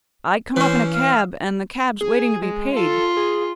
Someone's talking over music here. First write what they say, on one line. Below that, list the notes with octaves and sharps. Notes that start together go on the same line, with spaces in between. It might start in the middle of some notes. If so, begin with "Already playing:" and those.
I come up in a cab, and the cab's waiting to be paid.
E3 C#4 C5
F5
G#4
G#3
F4 A4
G#4